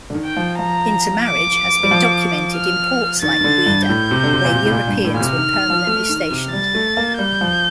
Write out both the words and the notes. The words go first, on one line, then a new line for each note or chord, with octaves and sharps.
Intermarriage has been documented in ports like Ouidah where Europeans were permanently stationed.
D3
D#3
G5
F3
F3 A#5
D6
G3
F3
F6
D#3 A6
D#3
D3
G2
A2 G6
C3
D3
C3
A#2
C3
A2
A#2
G2
A2
A#2
C3 F6
D#3
D#3
F3
A3
D#3
C3
G3 A6
A3
A#3
G3 G6
F3